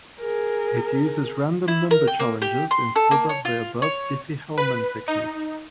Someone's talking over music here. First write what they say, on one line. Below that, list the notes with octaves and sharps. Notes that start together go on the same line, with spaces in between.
It uses random number challenges instead of the above Diffie-Hellman technique.
G#4 A#4
E4
A#4
G5
A#3
G4
C6
A4
A#3
C#5
F4
C#5
B4
D#4